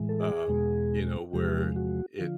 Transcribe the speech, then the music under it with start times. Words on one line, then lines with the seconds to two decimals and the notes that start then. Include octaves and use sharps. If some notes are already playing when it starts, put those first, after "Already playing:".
um, you know, where it
Already playing: A2 E3 G#3
0.09 A4
0.21 G#4
0.48 E2 B2 G#3
1.33 E2 C3 F3 G#3 G4
1.76 F#4
2.19 D3 F3 F4